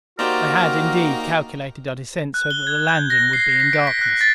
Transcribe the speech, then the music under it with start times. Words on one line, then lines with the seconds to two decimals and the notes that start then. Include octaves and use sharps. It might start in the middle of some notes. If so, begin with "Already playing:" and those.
I had, indeed, calculated our descent so that the landing would be in darkness.
0.19 A#3 D#4 F#4 G4 A#4 C5 D5 A#5
2.34 F#6
2.51 G7
2.67 G#6
2.88 G6
3.10 A#6
3.33 C7
3.60 B6
3.73 D7
3.87 B6
4.01 F#6
4.21 A6